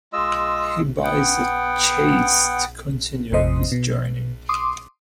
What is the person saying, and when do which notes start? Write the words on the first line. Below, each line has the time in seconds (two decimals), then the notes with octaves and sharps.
He buys a chaise to continue his journey.
0.13 G#3 F4 D#5 E6
1.03 B3 F#5 G5
3.32 A1 F2 C3 C5 D#5
3.72 B2
4.49 C6 D6 D#6